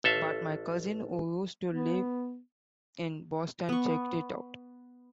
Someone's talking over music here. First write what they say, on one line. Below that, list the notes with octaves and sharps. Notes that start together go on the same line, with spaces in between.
But, my cousin, who used to live in Boston, checked it out.
A1 A4 E5 F5
B3
B3 C#6